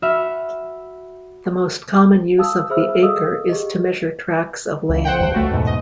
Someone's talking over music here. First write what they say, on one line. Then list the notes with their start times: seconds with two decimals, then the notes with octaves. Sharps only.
The most common use of the acre is to measure tracts of land.
0.02 F#4 E5 B5 F6
2.38 F5 A5 D#6 E6
2.70 G#4 C5 E5 B5 E6 F6
3.02 G#4 A4 D#5 F5 D#6 E6
3.49 G4 G#4 D#5
4.90 C#2
5.05 C5 F#5 G5
5.19 G1 D2 G2
5.34 C#2 A3 F#4
5.51 E2 G#2 B2
5.67 D#5